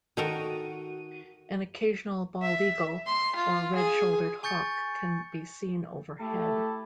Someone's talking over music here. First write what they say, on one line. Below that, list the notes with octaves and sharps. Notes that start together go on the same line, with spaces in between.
An occasional bald eagle or red-shouldered hawk can be seen overhead.
D#3 F#4 A4 A#4 D#7
E5
C6
F4
G#4
G#5 C#6 G6 A6 C#7
A3 E4 G4 A4